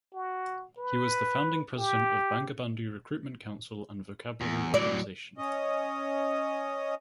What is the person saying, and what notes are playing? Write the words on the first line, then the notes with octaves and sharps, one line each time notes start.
He was the founding president of Bangabandhu Recruitment Council and vocabulary organization.
F#4
B4
G4
E2
A2 F#3 D5
C#4 D#5